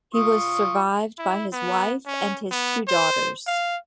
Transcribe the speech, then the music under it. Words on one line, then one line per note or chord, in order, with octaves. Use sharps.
He was survived by his wife and his two daughters.
F4 C#6 D#6
E4
B3
C#4
B3
C5
F5